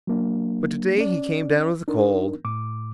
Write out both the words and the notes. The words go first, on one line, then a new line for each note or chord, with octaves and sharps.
But today he came down with a cold.
F#3 A#3 D4
C#4 D5
D4 D#4 A#4
A2 D6